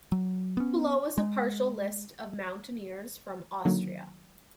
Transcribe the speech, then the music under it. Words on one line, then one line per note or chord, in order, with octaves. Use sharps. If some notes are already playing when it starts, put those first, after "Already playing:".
Below is a partial list of mountaineers from Austria.
F#3
B3 C#4
G#3
D3 D#3 F#3 A#3